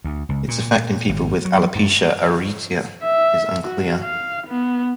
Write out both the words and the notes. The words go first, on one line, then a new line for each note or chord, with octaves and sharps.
Its effect in people with alopecia areata is unclear.
D2
C#2
A#2
G#1
F#3
G2
E5
F#4
F5
B3